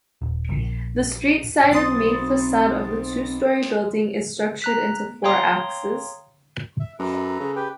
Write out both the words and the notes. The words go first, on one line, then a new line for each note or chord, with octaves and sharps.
The street-sided main facade of the two-story building is structured into four axes.
D#1
A#1
B1 C4 C6 D#6 A6
A#5 F#6 B6
C#5 F5 G5 A#5 C6 D#6
E5
F#2 A4 B4 A#5
C#3
G4 B4 G5